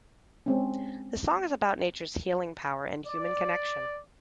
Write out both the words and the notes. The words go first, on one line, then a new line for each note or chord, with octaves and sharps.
The song is about nature's healing power and human connection.
G#3 C4 C#4
D5